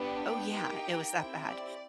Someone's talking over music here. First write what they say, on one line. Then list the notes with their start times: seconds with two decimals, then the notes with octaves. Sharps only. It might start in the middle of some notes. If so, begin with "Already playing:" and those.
Oh, yeah. It was that bad.
Already playing: B3 D4 G4
0.17 G5
0.49 A#3 D#4 G4
1.14 C4 E4 G4
1.47 D5